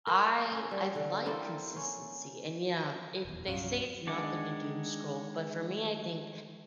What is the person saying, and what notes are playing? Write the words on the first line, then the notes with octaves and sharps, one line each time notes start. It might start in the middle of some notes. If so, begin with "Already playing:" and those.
I I like consistency. And, yeah, it they say it's not good to doom scroll. But for me, I think
A#4 C5
C#4
G3
D3
A#3 C4 E4 A4
C#4
D#1 E2
C2 G2 F3 F#3 C#4
D#3 G#3 D4 F#5 D6